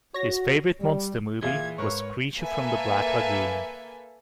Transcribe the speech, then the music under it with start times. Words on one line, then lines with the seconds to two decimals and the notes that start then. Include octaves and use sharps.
His favorite monster movie was "Creature from the Black Lagoon".
0.14 F#4 C#5 A#6
0.80 G3
1.42 A#2 E3 G#4 E5 F5 G#6
1.78 G#2 A#4 B4 C#5 C#6
2.40 A#3 A4 B4 E5 G#5